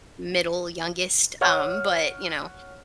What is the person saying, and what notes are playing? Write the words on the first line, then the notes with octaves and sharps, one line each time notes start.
middle youngest, um, but, you know,
C#5 F#5 C#6 F6